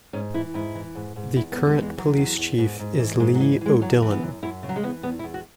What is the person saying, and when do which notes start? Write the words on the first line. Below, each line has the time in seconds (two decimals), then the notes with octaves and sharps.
The current police chief is Lee O'Dillon.
0.13 G#2 C#4
0.34 E3 E4
0.54 G#2 E4
0.75 E3
0.95 G#2
1.16 G#2
1.36 E2 E4
1.52 B3
1.56 E2
1.67 G#3
1.78 E3 G#3
1.97 E3 F#3
2.18 E2
2.38 E2
2.58 G#2
2.79 G#2
2.99 E3
3.20 G#2 G#3
3.35 F#3
3.40 E3
3.61 E3 G#3
3.81 F#2 F#3
4.02 E3
4.12 B3
4.22 F#2
4.43 F#2 E4
4.63 C#3
4.69 F#3
4.76 G#3
4.84 E3 B3
5.03 E2 B3
5.19 E4
5.24 E2
5.34 F#4